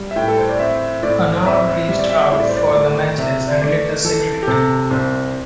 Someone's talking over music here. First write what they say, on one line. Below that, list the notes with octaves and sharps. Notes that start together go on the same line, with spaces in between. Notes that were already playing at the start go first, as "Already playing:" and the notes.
Hanaud reached out for the matches and lit a cigarette.
Already playing: G3
E5
A2 G5
A4
C5
D5
C4 E5
A2 D5
C4 E5
G3 E5
D5
E5
A2 E5
D5
C5
D5
A3 D5
C3 E5
A3 D5
E3 A4
G4
C3 A4
C2 C5